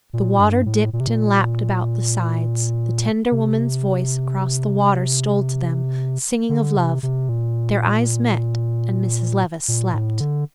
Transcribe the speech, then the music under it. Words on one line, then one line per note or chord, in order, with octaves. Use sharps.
The water dipped and lapped about the sides; the tender woman's voice across the water stole to them, singing of love; their eyes met--and Mrs. Levice slept.
A#2
G2
A2
A#2
C3
A#2
C3
D3
C3
C3
A#2
A#2
A2
D3